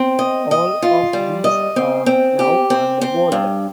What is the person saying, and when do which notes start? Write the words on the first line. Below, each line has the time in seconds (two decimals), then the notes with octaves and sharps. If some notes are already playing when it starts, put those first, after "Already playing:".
All of these are now underwater.
Already playing: C4
0.19 D#5
0.51 D#5
0.82 F4
1.13 G3
1.44 D#5
1.76 C4
2.06 C4
2.39 G4
2.70 C4
3.01 C4
3.32 G2